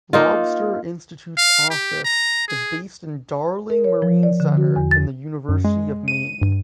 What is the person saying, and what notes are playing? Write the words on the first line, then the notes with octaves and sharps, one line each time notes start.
Lobster Institute’s office is based in Darling Marine Center in the University of Maine.
A#3 D#4 F4
F5
G4
A#5
G#4
A#4
C#5
F3
D5
D3
F#4
E2
A6
F#2
G#3
D#7
G2